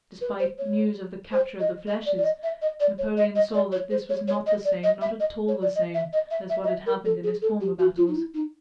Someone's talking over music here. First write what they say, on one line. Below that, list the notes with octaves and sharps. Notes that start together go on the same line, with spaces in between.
Despite news of the capture of the fleches, Napoleon saw that this was not the same, not at all the same, as what had happened in his former battles.
B4
C5
C#5
C5
D#5
D#5
D5
D5
D#5
E5
D#5
D5
C#5
D#5
D#5
D5
C#5
C5
C#5
C#5
D#5
D5
D#5
E5
D#5
C#5
D5
D#5
E5
D#5
E5
E5
D#5
E5
A#4
A4
G#4
A4
G4
F#4
F4
D#4
E4
D#4